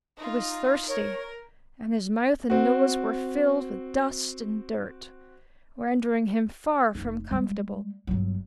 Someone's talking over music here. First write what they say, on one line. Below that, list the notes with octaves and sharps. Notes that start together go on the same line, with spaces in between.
He was thirsty and his mouth and nose were filled with dust and dirt, rendering him far from comfortable.
D#4 F4
A#4 C#5
C4 F#4
F1 D#4
G3 G#3
G1 F#3